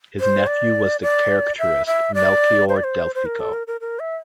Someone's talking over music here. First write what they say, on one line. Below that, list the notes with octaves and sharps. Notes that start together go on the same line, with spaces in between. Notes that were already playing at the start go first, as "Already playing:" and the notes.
His nephew was the caricaturist Melchiorre Delfico.
C5
D5
D5
E5
E5
D5
C5
D5
C5
C5
A#4
A4
A#4
A#4
A#4
E5